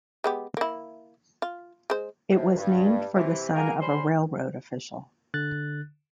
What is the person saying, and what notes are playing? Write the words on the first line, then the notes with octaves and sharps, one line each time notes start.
It was named for the son of a railroad official.
G#3 B3 G4
A#3 E4
F4
G#3 C5
D#2 A2 C3
G2
C3 E3
A#3 B3 G#4 A#4
G3 C#4 C5 B5 C6
D3 F#6 A6